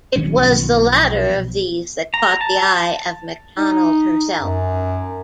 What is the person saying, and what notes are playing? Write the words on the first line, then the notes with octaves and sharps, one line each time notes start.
It was the latter of these that caught the eye of McDonald herself.
D#3 F#3 C#4
B1 F3 B3
A#5
A5
D#4
F#2